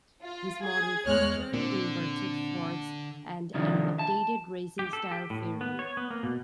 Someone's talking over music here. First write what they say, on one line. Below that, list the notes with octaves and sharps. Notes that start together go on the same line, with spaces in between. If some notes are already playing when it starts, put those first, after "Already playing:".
This model featured inverted forks and an updated racing-style fairing.
F4
G#4 G#6
E2 G#3 C#5 F6 F#6
A#2 D3 A#3 C4
C3 D#3 F3 D4
A5
G4
A4
G4
A2
B3
C#5
B3
A#3
B2